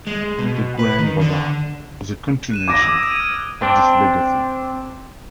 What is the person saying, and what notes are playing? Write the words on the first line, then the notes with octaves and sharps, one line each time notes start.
The Grand bazaar is a continuation of this legacy.
G#3
B2
B4
D#3
D3
F#6 D#7 E7
D6 G#6 A#6 D7
D#6 E6
G#6 D#7
F6 D#7
C4 D4